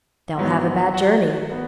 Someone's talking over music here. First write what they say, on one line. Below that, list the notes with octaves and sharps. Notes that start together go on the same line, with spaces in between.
'They'll have a bad journey.'
G#2 F#3 B3
F#4
B3